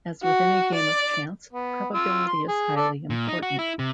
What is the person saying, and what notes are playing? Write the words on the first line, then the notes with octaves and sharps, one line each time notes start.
As with any game of chance, probability is highly important.
F#4
D5
B3
F4 E6
C6
G#4
A4 D5
A#2
D#4
F#4
E4
C3